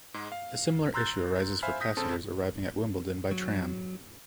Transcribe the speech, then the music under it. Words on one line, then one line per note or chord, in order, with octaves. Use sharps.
A similar issue arises for passengers arriving at Wimbledon by tram.
G#2 G#3
F5
A#5 C6 E6 F#6 G6 A6
C5 E5 F5 G#5 B5 F6
D#6 G6 A#6 B6
A1 C#3 C4 A4 A5 D#6
F#3